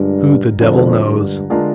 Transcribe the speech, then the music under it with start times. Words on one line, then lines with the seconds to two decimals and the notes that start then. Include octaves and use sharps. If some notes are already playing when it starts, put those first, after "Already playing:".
Who the devil knows?
Already playing: G2 D3 G#3 D4 F4 A#4
0.60 F2 D3 G#3 D4 F4 A#4
1.05 G2
1.50 D3 G#3 D4 F4 A#4